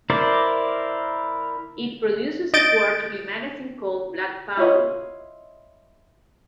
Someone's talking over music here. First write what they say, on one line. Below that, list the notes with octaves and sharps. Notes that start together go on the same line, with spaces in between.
It produces a quarterly magazine called "Black Powder".
E4 A#4 C5 D5
D#5 G6 A6 D7
E4 F4 C#5 D#5